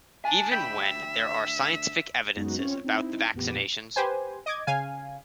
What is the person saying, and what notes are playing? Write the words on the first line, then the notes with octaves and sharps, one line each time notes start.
Even when there are scientific evidences about the vaccinations.
D4 G#5 A5
D2 E5 G5 B5
F#2 G#3 B3 D#4 F#4
C4 C#4 F4 C#5
C4 D#4 E4
A1 F2 A#2 B3 G4
G4 B4 C5 G#5
D#5 D6 G#6
C#3 F5 G#5